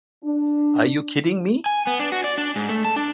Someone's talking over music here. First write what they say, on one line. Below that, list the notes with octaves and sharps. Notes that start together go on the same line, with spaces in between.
Are you kidding me?
D4
G#5
B3
D4
F#4
D5
D4
G#2
A3
A5
D4